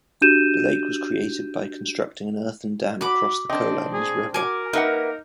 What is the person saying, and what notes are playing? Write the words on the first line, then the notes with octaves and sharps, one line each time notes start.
The lake was created by constructing an earthen dam across the Kolans River.
D4 F#4 G4 G6 D#7 E7
F#4 B5 D6
C4 D4 D#5
G#4
F#4 A#4 G#5 D6
A#3 D#4 B4 E5 F#5